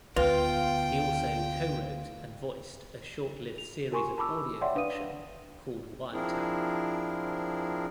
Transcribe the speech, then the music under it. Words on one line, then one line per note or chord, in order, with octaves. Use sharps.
He also co-wrote and voiced a short-lived series of audio fiction called "Wiretap".
D2 B3 F4 B4 G5
F7
F4 G4 A#4 G#5 C6 C#6
A5 B5 D6 E6
C#5 D5 E5 F#5 G5 C6
D4 B4 F5 D#6 D#7
F3 C4 D4 E4 G#4 A#4